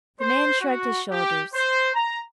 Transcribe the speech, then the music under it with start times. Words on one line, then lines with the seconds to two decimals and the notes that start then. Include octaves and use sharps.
The man shrugged his shoulders.
0.20 C5
0.61 F#4
1.12 G4
1.54 C5
1.94 A#5